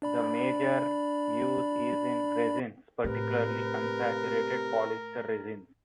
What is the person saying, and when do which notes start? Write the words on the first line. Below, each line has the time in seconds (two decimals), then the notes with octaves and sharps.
The major use is in resins, particularly, unsaturated polyester resins.
0.02 D4 D5 B5
3.04 A2 C3 A#4 B4